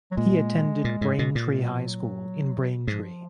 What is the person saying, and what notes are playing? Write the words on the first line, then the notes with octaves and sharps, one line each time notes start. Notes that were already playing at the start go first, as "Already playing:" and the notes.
He attended Braintree High School in Braintree.
F#3
A#2 G#3
A#2
G#2
B2
A#2
G#3
F#3
F3
F#3
G#2 F3